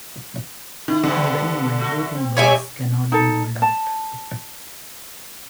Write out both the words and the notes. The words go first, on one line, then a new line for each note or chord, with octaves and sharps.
Even migrating birds cannot be ruled out.
D#3 E4
G2 D3 B3
A3 F#4
C4
A2 G3 G4 C#5 E5 G#5
D#4 A4
A5